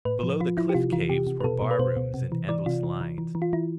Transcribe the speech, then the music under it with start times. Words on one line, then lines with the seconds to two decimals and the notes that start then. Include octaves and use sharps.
Below the cliff caves were bar rooms in endless lines.
0.05 A2 B4
0.23 F3
0.40 F3 F4
0.57 F3 E4
0.69 G4
0.75 C3 F4
0.92 E3 F4
1.09 C3 G4
1.27 C3
1.41 B4
1.44 B2 A4
1.62 B2
1.71 B4
1.79 B2 C5
1.96 B2
2.14 C3
2.32 E3
2.49 E3 D5
2.66 C3 F4
2.84 E3
3.01 E3
3.18 E3
3.35 E3
3.42 F4
3.53 E3 E4